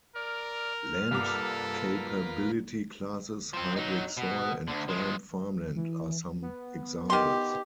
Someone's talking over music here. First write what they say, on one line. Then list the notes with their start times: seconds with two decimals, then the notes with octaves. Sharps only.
Land Capability Classes, hydric soil, and prime farmland are some examples.
0.16 A#4 D5 F6
1.11 C2 G2 A#3 F4 A4 B4 D6
3.53 F3 C4
3.76 F#3 D#4
4.17 B2
4.68 D2 D3
4.88 F3 G#3
5.76 E3
6.42 B3
7.10 D#3 G4 C6